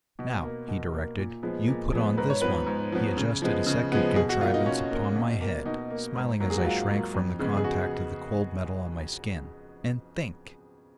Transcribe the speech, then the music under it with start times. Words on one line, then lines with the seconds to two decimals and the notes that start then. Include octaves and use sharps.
"Now," he directed, "you put on this one"--he adjusted a second contrivance upon my head, smiling as I shrank from the contact of the cold metal on my skin--"and think!"
0.19 B2
0.43 A#3
0.68 B2
0.93 A#3
1.18 A#2
1.43 F3 G#3 B3
1.68 A#2
1.93 F3 G#3 B3
2.17 G#2 B4
2.30 C#5
2.42 F3 B3 B4
2.67 G#2
2.92 F3 B3
3.17 C#3
3.42 F3 G#3 B3
3.67 C#3
3.92 F3 G#3 B3
4.16 B2 G#4
4.29 F#4
4.41 A#3 F4
4.54 D#4
4.66 B2 C#4
4.91 A#3
5.16 B2
5.41 A#3
5.66 B2 D#4
5.90 A#3
6.15 G#2
6.40 F#3 A#3
6.50 G#4
6.58 F#4
6.65 G#2 F4
6.90 F#3 A#3
7.14 F2
7.39 C#3 G#3 B3
7.57 G#4
7.64 F#4